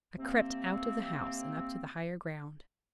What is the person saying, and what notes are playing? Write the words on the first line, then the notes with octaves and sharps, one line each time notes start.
I crept out of the house, and up to the higher ground.
C3 A#3 C4